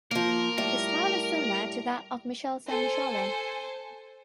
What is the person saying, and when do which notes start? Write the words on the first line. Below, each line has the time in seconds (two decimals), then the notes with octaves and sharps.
The style is similar to that of Michele Sanmicheli.
0.11 F3 A#3 A#4
0.58 A2 G3 A#4
2.68 A4 C5 G#5